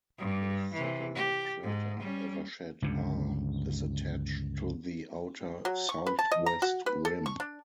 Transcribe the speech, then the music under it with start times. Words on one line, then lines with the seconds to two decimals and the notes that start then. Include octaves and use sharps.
The satellite crater Evershed R is attached to the outer southwest rim.
0.19 G2
0.74 C3 E3
1.15 G4
1.63 G#2
2.00 G3 C#4
2.82 C#2 G2 D3
5.65 F#3
5.89 C#6
6.07 B4
6.19 A5
6.32 D#5
6.46 A#5
6.62 F#4
6.86 B4
7.05 A4
7.26 C#6
7.40 D4